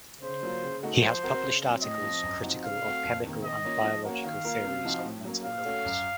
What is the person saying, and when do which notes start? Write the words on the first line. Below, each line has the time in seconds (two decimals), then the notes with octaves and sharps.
He has published articles critical of chemical and biological theories of mental illness.
0.22 C#3 C5
0.43 F#3 A#3 F4
0.63 C#3
0.83 A3 D#4 F#4
1.03 F3 C5
1.23 C4 F#4 A#4
1.43 C#3
1.63 F#3 C4
1.83 A2 D#5
2.04 F3 C4
2.23 F#2
2.43 F3 C4 D#4 F#4
2.64 C#3 F5
2.84 A3 C4 F#4
3.04 F2
3.24 C3 D#3 A#3
3.44 D#3 D#5
3.64 A#3 C#4 F4
3.84 F3
4.05 A#3 C#4 F#4 A#4
4.24 D#3 F5
4.44 A#3 F4 A#4
4.65 C3
4.85 F3 C4 D#4 F#4
5.05 A2
5.25 F#3 A#3 C#4
5.45 A#2 F5
5.65 A3 C#4 F#4 A4
5.85 F#2